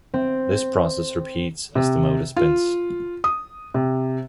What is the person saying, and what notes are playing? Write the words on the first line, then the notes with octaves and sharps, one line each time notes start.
This process repeats as the motor spins.
C4
C3
F4
D#6
C3